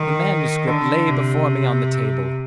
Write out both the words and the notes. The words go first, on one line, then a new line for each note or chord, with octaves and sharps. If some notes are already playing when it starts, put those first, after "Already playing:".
The manuscript lay before me on the table.
Already playing: D#3
D3
C3